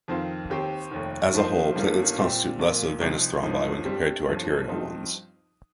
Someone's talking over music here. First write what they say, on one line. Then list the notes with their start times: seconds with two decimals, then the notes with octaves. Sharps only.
As a whole, platelets constitute less of venous thrombi when compared to arterial ones.
0.08 F2 D#3 C4 F4
0.50 D#2 D#3 C4 G4 C5
0.91 F1 D#2 D#3
1.34 G2 F3 A#3 D#4 C5
1.76 G1 G2 D#3 G3 A#3
2.18 A#2 G3 C4 G4
2.59 A#1 A#2 A#3
3.01 C2 C3 F3 D#4
3.43 G1 G2 F3 D#4
3.85 G2 G3 C4 G4
4.26 G1 G2 F3
4.69 G2 F3 C4 D#4